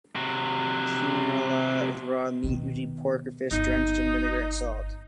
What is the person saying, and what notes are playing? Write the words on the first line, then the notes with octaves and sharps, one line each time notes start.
"Kinilaw" is raw meat usually pork or fish drenched in vinegar and salt.
C3 F#4
B2 D#3
G1 D#4